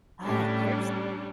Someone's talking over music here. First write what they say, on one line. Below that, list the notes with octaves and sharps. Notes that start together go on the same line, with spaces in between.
But here's
A2 G3 C#4 D4